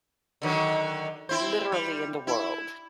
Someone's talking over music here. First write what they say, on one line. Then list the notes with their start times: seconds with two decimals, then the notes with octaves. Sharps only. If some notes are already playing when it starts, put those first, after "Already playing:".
literally in the world.
0.42 D3 D#3 F#3
1.29 C4 E4 C5
1.72 G3
2.27 E4